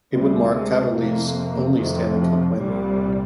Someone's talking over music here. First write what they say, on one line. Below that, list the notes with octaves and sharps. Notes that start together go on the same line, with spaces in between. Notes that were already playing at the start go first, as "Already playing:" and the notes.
It would mark Kaberle's only Stanley Cup win.
D2 C3 G3
G#3
F2 C3 A#3
F2 C3 D#3
F3
C2 A#2 G3